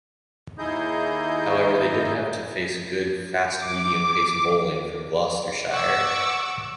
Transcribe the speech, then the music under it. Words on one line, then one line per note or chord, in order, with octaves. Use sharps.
However, they did have to face good, fast-medium-pace bowling from Gloucestershire.
D#2 D#4 E4 G#4 D#5 G6
D6
F#5 C#6 D6 E6